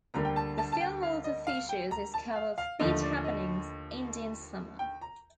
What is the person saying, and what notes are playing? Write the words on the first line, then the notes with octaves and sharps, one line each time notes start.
The film also features his cover of Beat Happening's "Indian Summer".
D2 D3 G3 A#3 A#5
G5
A5
A5
A5
G5
F5
D#5
F5
G5
A#5
A5
F5
F5
D#2 D3 F3 A3 D#5
D5
D#5
G5
A#5